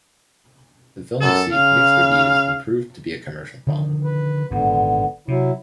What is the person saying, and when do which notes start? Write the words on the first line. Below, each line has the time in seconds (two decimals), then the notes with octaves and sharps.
The film received mixed reviews and proved to be a commercial bomb.
1.21 F#2 A4
1.53 C#3 F5
3.67 D3 D#3 F3
4.04 B4
4.51 G#1 G2 A#2 D3 B3
5.28 C3 F#3 E4